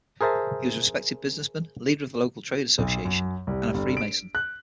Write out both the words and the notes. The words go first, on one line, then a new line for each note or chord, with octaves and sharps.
He was a respected businessman, leader of the local trade association, and a Freemason.
G#4 A#4 C5 E5 A5
B1
F#2
C2
G1
D7
F#6